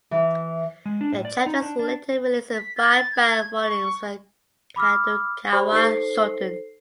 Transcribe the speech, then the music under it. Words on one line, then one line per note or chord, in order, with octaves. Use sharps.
The chapters were later released in five bound volumes by Kadokawa Shoten.
E3
G#3
D4
A2
D5
D#4
D4
D4
B6
A6
G#6
C#6
B5 D6 E6 F6
G4 C5 D5 B5 C#6
D#4 A4 C5 C7